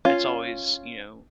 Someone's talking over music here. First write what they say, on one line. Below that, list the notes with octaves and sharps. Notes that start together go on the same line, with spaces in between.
it's always, you know,
C#4 F4